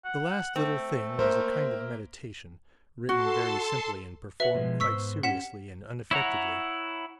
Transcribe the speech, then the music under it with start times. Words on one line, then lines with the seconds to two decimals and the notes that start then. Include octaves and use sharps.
The last little thing was a kind of "meditation," written very simply and performed quite seriously and unaffectedly.
0.05 F#5
0.56 A3 C4
1.19 A#3 A#4 C5 E5
3.09 F#4 A4 A5 C6
4.40 F#4 B4 C#5 E5 F#5
4.54 B2 F3 G#3
4.80 G#2 B3 C5 C#6 E6 B6
5.23 C#4 G4 F#5 B6 E7
6.11 E4 C#5 F#5 A#5